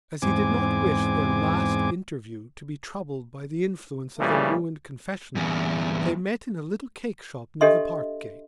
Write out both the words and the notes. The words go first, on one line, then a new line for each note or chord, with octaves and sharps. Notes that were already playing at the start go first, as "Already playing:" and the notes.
As he did not wish their last interview to be troubled by the influence of their ruined confessional they met in a little cakeshop near the Parkgate.
E2 G#2 C4 G#5 D6
A#2 C#3 E3 G3 A3
E2 G2
D4 G4 A4 D#5 E5 C6